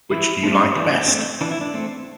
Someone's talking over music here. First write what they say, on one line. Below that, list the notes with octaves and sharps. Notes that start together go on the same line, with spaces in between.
Which do you like best?
E3 E4
A3 C4
E3 D4
A3 C4
E3 D4
E4
D4
A3 C4